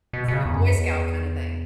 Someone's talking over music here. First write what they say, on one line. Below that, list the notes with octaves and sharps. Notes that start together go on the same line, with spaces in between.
It's like a Boy Scout kinda thing.
B2
B2
C#3
E2
F#2
E2